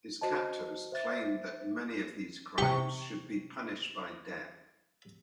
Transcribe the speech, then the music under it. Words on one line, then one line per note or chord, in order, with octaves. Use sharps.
His captors claimed that many of these crimes should be punished by death.
F#4 C5 D#5 A5
C5 E5 A6
C3 G4 C#6